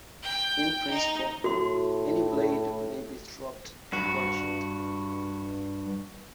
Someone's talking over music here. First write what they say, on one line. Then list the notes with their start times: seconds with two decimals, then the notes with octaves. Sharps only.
In principle, any blade may be stropped to polish it.
0.23 G5
0.90 D#4
1.44 A2 F#4 C6
3.93 G2 F#4